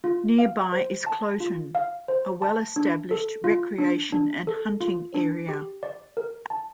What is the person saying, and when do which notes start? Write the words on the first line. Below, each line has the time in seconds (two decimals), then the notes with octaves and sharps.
Nearby is Kloten, a well-established recreation and hunting area.
0.04 F4
0.39 F5
0.72 C5
1.06 A5
1.40 F4
1.75 F5
2.08 C5
2.42 A5
2.76 D4
3.11 A4
3.44 F4
3.78 D4
4.12 D4
4.47 A4
4.81 F4
5.14 D4
5.49 G4
5.83 D5
6.17 A#4
6.50 A5